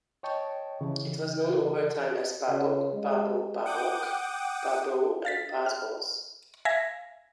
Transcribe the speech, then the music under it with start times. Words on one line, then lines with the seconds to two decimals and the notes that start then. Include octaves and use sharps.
It was known over time as Paboc, Pabo, Pabok, Pabeau, and Pas-bos.
0.23 C#5 D#5 G5 A5 C#6
0.81 C#3 E3
2.49 C#3
2.93 G#3
3.66 F#5 G5 D6 D#6
5.25 F5 A6 B6
5.66 F6
6.65 E5 F5 G#5 G#6 A#6 B6